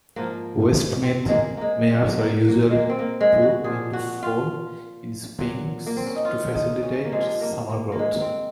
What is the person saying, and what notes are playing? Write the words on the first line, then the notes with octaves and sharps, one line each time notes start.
Westmeath mares are usually put into foal in spring to facilitate summer growth.
G#2 F3 A#3
C4
G#3 A#3
G#3 A#3
A#2 F#3 G#3
A#3
A#3
G#3
A#3
C4
A#3
G#3
F#4
A#2 F3 G#4
F#4
F4
A#2 F#3
A#3
C4
C#4
D#4
F4
D#4
C#4
A#3
C3 F3 G#3
A#3
A#3
A#3
G#3
C4